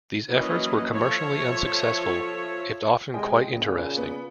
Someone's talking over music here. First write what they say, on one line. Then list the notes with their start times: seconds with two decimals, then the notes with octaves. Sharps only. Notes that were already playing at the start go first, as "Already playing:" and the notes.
These efforts were commercially unsuccessful, if often quite interesting.
0.29 E3 F#3 A#3 C#4 B4 D#5
0.90 F3 A4 C#5 E5
3.14 C2 G#3 D#5 G5
3.48 A#2 C#3
3.97 B3